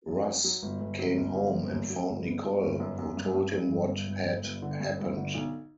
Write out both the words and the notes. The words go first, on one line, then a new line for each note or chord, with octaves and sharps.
Russ came home and found Nicole, who told him what had happened.
F#2
F#3
F#3
G1
G1
F#3
G1
F#2
G1
F#2
F#3
G1
B3
F#3
G1
F#2
F#2
G2
G2
G2
G1
G2
G1
G2
G1
D3
G2
G1
D3
B1